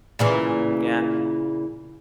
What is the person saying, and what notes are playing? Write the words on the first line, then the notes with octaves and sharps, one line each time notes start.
M yeah,
A#2 C#3 E3